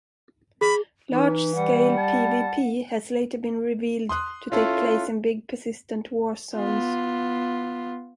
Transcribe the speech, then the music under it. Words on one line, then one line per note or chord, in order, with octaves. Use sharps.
Large scale PvP has later been revealed to take place in big persistent warzones.
G#4 B5
E3 D#4
G3 F#5
A5
C6 D#6 F#6
C#4 E4 F4 A4
B3 F4